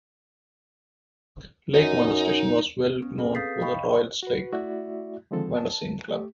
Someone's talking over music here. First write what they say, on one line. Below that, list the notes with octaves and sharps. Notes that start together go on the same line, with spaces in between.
Lake Vanda Station was well known for The Royal Lake Vanda Swim Club.
F#2 D#4
B3 C#4
C4 G#4 A4 B4
F5 D#6 G6 A6 B6 C7
D#5 F5 G5 B5 C#6
F#4 B4
A3 E4 F#4 D5 E5
D3 D#3 F3 G#3 C4 A4
A5
A3 G4